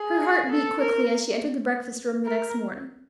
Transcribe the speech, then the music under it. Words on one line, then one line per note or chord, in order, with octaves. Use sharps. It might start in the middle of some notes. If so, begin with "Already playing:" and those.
Her heart beat quickly as she entered the breakfast-room the next morning.
Already playing: G#4
A4
A#4
A#4